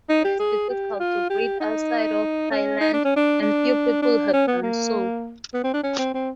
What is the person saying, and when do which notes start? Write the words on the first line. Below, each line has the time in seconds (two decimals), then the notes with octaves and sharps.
It is difficult to breed outside of Thailand, and few people have done so.
0.09 D#4
0.24 G4
0.39 G#4
0.69 G4
0.99 F4
1.30 G4
1.60 D#4
2.51 C#4
2.81 D#4
2.93 D4
3.05 C#4
3.16 D4
3.42 D4
4.02 D4
4.33 C#4
4.47 B3
4.62 A#3
5.54 B3
5.64 C4
5.73 D4
5.83 C#4
5.98 C4
6.14 C4